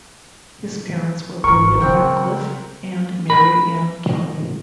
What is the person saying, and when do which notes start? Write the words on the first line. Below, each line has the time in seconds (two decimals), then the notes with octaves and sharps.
His parents were William Ratcliffe and Mary Ann Kelly.
1.44 G#1 D3 A#4 C#6
1.80 C#3 F#3 C4 F#5 G5
3.30 A#4 B5